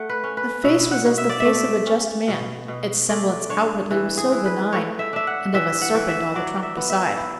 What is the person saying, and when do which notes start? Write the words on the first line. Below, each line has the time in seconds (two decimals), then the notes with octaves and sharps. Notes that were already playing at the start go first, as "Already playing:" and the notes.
The face was as the face of a just man, Its semblance outwardly was so benign, And of a serpent all the trunk beside.
Already playing: A3 F#5
0.09 B4
0.24 C#4
0.37 B4
0.63 B2 E5
0.91 F#5
1.05 B2
1.18 E5
1.29 D5
1.40 E5
1.45 A3
1.87 C#4
2.28 B2
2.68 B2
3.09 A3 D5
3.50 D4 C#5
3.91 E3
4.17 G#4
4.32 E3
4.46 B4
4.73 A3 C#5
4.99 E5
5.13 D4 E5
5.27 F#5
5.54 E3 E5
5.81 F#5
5.95 E3
6.08 E5
6.35 F#3 D5
6.63 E5
6.77 B3
6.90 E5
7.17 E4